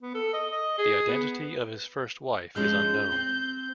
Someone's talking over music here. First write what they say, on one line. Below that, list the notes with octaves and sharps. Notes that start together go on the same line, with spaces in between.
The identity of his first wife is unknown.
B3
A4
D#5
D#5
G#4
B3
B4
F3 G#3 C#4 G6
C4